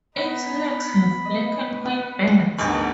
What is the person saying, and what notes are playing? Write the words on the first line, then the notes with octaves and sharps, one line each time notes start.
Its legs have black and white bands.
B3 D#4 A#5 B5
B4 D#5
F#5
G#1 D2 B3 A#4 D#6